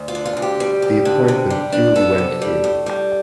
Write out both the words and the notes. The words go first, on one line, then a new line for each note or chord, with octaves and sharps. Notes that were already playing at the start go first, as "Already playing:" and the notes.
The appointment duly went through.
Already playing: D2
F4
D3
F4
D2
G4
G3
D2
D3
C3
G3
D4
B3 A4
C3
G3
A2
G3